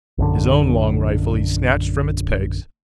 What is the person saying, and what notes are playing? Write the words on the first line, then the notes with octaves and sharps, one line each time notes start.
His own long rifle he snatched from its pegs.
A#1 F#2 D3